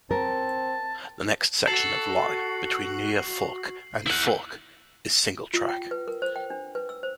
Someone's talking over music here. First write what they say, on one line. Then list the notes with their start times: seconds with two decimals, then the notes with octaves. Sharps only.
The next section of line, between Neue Forch and Forch, is single track.
0.11 C4 A#4 A5
1.67 F#4 A4 C7 F#7
4.07 E4 F#5
5.54 F4
5.69 G5
5.91 B4
6.08 A#4
6.22 C5
6.36 G5
6.50 D4
6.75 B4
6.89 E6
7.03 C5